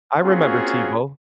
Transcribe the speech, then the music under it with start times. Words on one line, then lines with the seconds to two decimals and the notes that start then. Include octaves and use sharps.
I remember TiVo.
0.22 A#3 C4 C#4 F4 F#4 G#4